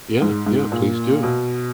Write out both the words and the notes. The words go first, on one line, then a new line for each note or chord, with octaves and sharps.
Yeah. Yeah. Please do.
G#2
G#2
A#2
B2